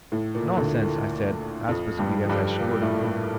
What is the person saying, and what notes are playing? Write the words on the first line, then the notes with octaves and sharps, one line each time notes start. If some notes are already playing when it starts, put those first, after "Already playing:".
"Nonsense!" I said, as briskly as I could.
A2
A#2
D2 D3
F2 F3
G2 G3
F3
G2 G3
A#2 A#3
A2 A3
A2 A3